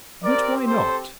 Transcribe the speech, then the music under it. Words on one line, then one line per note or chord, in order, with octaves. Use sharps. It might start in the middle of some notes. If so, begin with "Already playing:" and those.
"But why not?"
C4 G4 A#4 D5
A4 C5